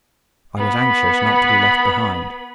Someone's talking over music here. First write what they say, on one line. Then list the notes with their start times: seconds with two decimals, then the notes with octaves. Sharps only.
I was anxious not to be left behind.
0.57 B3 B5